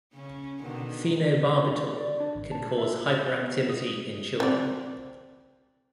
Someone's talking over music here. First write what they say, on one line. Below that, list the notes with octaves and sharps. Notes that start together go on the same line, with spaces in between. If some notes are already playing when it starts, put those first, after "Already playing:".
Phenobarbital can cause hyperactivity in children.
C#3 C#4
B2 D3 D#3
D4
D3
D5
D4
G#1
A5
E5
A6
F#6
B3
D#6
C4 D5